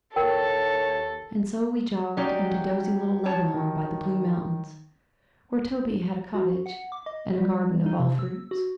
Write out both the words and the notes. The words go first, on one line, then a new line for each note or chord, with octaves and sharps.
And so we jogged 'into dozy little Lebanon by the Blue Mountains, where Toby had a cottage and a garden of all fruits.
D#2 A4 A#4 C#5 G5
F#3 C#4 D#4 G4 D5
C#5 A5
D#3
F#4
F#5
D6
D#5
G3
D#4
C3
E6
F#4